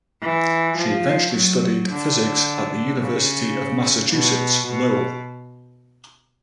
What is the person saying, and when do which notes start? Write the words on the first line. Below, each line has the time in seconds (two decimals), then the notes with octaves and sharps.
She eventually studied physics at the University of Massachusetts Lowell.
0.22 E3
0.78 F3
1.33 F#3
1.89 D3
3.00 C#3
4.12 B2
4.67 B2